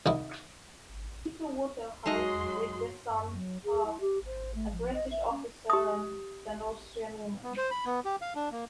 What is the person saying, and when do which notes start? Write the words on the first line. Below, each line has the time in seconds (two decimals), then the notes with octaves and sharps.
Peter Waterhouse is the son of a British officer and an Austrian woman.
0.06 C2 D#3 E4
2.06 F#3 G#3 D#4 D#5 C6
3.33 F#3
3.64 G#4
3.85 E4
4.00 G4
4.25 C5
4.54 A3
4.71 F3
4.93 D#5
5.11 E5
5.30 C#4
5.70 G4 D#6
7.44 B3
7.57 C5
7.71 B5
7.86 B3
8.05 G4
8.22 F5
8.35 D4
8.51 A#3